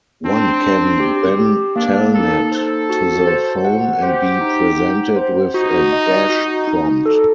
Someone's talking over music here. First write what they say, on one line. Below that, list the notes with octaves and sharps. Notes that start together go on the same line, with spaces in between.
One can then telnet to the phone and be presented with a bash prompt.
C4 D4
D4
G4
G4
A#3 D4
D#4 A4
A4 C5
F#4
C5
F#5
G4 C5
D#4
F#5
C5
D#4 F#4
D#5
F#4
D#4
A4